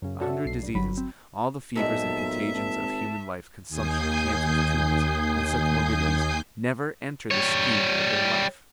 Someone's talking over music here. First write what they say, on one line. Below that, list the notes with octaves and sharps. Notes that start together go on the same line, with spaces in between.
A hundred diseases, all the fevers and contagions of human life, consumption, cancers, tumours and such morbidities, never enter the scheme of their life.
F#2 C#3
C#4 D4 F#4 A4 E5
B1 C7
G2
G1 F#3 B5
C4
B1 A#2 G#3 C4 E5 A5
G#1 A5
D#2 G#5 D#6 G6 C7
G3 C#5